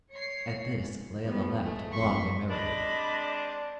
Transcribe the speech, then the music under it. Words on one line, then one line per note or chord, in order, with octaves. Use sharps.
At this Layelah laughed long and merrily.
C#5 C7
G#2
F3 G3 B3
G#3 A3
G#1 F2 C6 C#6 B6
C3 G#3 D4 D#5 B5 D6